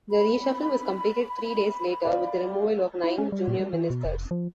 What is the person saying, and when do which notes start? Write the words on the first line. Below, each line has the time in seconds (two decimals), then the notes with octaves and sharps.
The reshuffle was completed three days later with the removal of nine junior ministers.
0.11 B5
2.05 D5 F5
3.04 E4
3.18 C#4
3.32 G3
3.48 A#2
3.60 G3
3.73 E3
3.90 B2
4.05 F1
4.31 F3